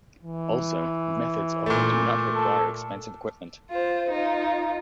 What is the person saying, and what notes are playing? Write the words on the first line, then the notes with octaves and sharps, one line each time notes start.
Also, methods often do not require expensive equipment.
E3
A#2 A3
A4
F4 C5
D#4 F4